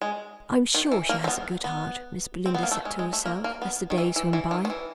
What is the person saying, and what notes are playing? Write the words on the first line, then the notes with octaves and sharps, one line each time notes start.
"I am sure she has a good heart," Miss Belinda said to herself, as the days went by.
G#3
D#3
E3
A#3
C4
B3
B3
C4
B3
A#3
A3
G#3
G#3
A3
A#3
A#3
B3
D#3
E3
E3
E3
D#3
D#3
E3